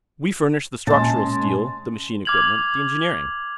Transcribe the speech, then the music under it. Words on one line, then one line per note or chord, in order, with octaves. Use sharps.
We furnish the structural steel, the machine-equipment, the engineering.
A#2 G#3 C#4 A5
D6 F6 G#6 F7 F#7